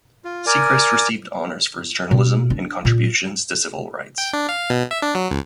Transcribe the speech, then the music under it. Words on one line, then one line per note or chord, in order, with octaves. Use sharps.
Secrest received honors for his journalism and contributions to civil rights.
F4
A#4 D5 G#5
B2
D4
A#2
G5
D4
F5
B2
E5
D4
F#3
C#2